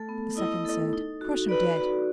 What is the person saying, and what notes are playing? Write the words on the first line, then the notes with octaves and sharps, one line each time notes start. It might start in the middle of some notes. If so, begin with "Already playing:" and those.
The second said, 'Crush him dead.'
Already playing: A3 A4
B3
E4 D#5
A4
D#4
F#4
B4 D5
F#4